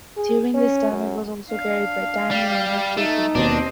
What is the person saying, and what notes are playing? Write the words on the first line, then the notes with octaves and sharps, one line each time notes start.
During this time, it was also carried by Time Warner Cable.
G#4
C#4
F#2
D4 F5
G3
A3 D#4
D#2 B2 C4 D4 D#5